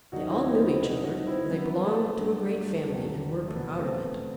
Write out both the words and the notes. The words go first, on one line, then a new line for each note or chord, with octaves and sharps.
They all knew each other, for they belonged to a great family, and were proud of it.
D#2 D#3 F#3 D#4 F#4
C4 E4
B3 D#4
C4 E4
C2 B2 G3 D#4 F#4
D#4 F#4
C4 E4
F#2 F#3 B3
A3
G2 F#3
D#2 D#3 F#3
A3
E2 B2 F#3 B3
A3 C4